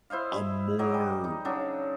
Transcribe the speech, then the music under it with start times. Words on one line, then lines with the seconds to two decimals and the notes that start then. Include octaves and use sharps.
a more
0.10 E4 C5 D#5 F5
0.79 F#3 D#5 G#5 D6
0.94 G3
1.24 D#4
1.45 C#3 F#3 D4 D#4